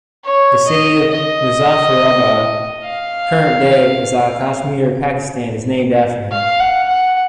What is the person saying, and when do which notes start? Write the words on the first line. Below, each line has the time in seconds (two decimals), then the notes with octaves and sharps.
The city of Muzaffarabad, current day Azad Kashmir, Pakistan, is named after him.
0.24 C#5
0.67 D#5
1.11 D#5
2.84 F5
6.31 F5
6.60 F#5
6.88 F#5